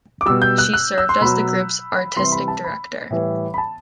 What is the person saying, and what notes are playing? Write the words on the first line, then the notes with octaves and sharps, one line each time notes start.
She served as the group's artistic director.
D6
B2 G3 E6
G6
F#6
F#6
E6
C6
B2 F#3 B5
C3 E3 G3 C6
B5
A5
B5
A2 E3 G3
B5
A5